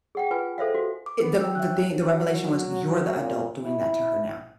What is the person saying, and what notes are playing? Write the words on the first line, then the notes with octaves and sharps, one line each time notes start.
Eh, the the thing the revelation was, "You're the adult doing that to her now.
G#4 F#5 G5
F4 B4 G#5
A4 C5 E5 F5
F#4
D6
B3
F#3 G5 E6
E5 F#6
F#3
A#2
E4